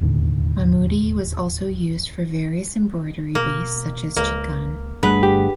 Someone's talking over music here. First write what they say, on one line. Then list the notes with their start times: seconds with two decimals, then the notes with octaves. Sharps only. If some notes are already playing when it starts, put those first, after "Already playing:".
Mahmudi was also used for various embroidery base such as chikan.
0.01 E1 D#2 A2 D3
3.35 B2 A#3
4.17 C#2 A#3
5.03 G1 G3 A3 D4 G#4 B4 F#5
5.23 G4